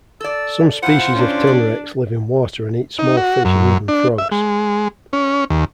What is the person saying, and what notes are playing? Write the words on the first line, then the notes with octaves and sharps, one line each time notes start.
Some species of tenrecs live in water and eat small fish and even frogs.
A4 D5 E6
A2 C3 F4 C5 F#5
C#4 D4
D5
D#4
F#4
F#2
D4
E5
G#3
C#4
D#2